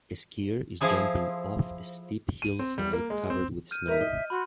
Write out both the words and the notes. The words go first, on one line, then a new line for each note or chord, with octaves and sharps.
A skier is jumping off a steep hillside covered with snow.
F3 E4 G#4 A4
D#7
C4
G3
A#3
G#3
C4
F6 G6 D#7
D#4 A#4 E5 G6
D#5
F#4 B5 C6